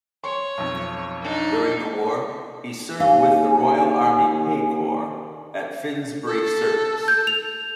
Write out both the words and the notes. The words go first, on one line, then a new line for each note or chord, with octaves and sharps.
During the war, he served with the Royal Army Pay Corps at Finsbury Circus.
C#5 C6 C#6
B1 F2
D4 D#4
D#2 D#5 F5 G#5
A4
G6
F7